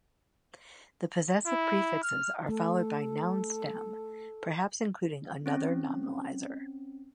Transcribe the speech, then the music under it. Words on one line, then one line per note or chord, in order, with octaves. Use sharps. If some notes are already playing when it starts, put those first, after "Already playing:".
The possessive prefixes are followed by noun stem, perhaps including another nominalizer.
E4
F6
A3 A4
C4 C#4